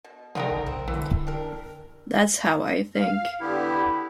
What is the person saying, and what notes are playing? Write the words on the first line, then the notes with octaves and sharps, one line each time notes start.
That's how I think.
B2
C3 G3 D#4 F4 A#4 F#5 G5
G1
A#1 C4
D3 E3
D4 G4 A#4
F5
D3 B3 E4 G4